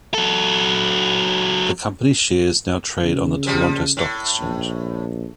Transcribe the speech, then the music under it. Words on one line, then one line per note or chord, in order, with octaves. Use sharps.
The company's shares now trade on the Toronto Stock Exchange.
F#3 A4
C#3
F3 G3
A2
A#1